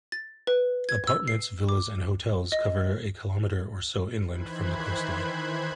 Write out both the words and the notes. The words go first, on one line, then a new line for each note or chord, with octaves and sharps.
Apartments, villas and hotels cover a kilometre or so inland from the coastline.
A6
B4
G#6
E6
C7
D6
D#5
D#3 E3 C5 B5 F#6 G#6